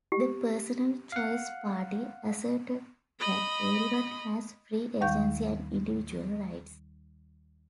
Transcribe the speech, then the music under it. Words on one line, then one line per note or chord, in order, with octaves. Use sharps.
The Personal Choice Party asserted that everyone has free agency and individual rights.
G4
F5 F#5
D#5 B5
D#2 D#3 G3 F5 C#6 G6